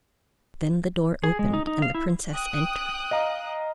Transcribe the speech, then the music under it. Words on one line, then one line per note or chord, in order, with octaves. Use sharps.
Then the door opened, and the princess entered.
G#4
G#3
D#4
D#4
F5
E4
G5 D#6 F#6
D#5 F5 A#5